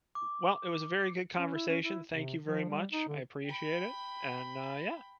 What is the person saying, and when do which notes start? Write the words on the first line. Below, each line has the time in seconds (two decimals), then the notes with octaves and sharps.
W well, it was a very good conversation, thank you very much, I appreciate it and, uh, yeah,
0.15 D6
1.37 C#4
1.54 E4
1.68 C#4
1.83 E4
2.11 C3
2.45 F3
2.69 G3
2.92 D#4
3.08 D3
3.46 G5 B5